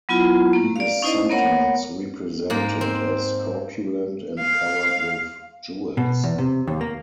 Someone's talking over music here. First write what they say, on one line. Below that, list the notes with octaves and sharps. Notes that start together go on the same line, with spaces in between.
He is sometimes represented as corpulent and covered with jewels.
F#3 B3 E4 F4
A#3
D5 F5
C#4 D#4 E4 C5 D#5
A#3 B3 A#4 C#5 F#5
G#2 A#3
C4
F5
B2
E2
C3
D#2
A#3